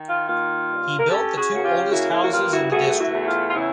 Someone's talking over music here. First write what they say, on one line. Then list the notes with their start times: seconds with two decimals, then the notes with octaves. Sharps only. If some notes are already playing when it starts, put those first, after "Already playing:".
He built the two oldest houses in the district.
Already playing: D#3
0.09 F4
0.29 A#3 F4
0.69 G2
0.99 A#4
1.10 C#4 G4 A4
1.37 F#4 G#4
1.51 C#3 F#4
1.64 F4 G4
1.91 A#3 E4 F#4
2.12 E4
2.24 F#4
2.32 G2 F4
2.52 E4 F#4
2.72 A3 F#4 G#4
3.00 E4 F#4
3.13 E2
3.27 F4
3.49 F4
3.54 C#3 E4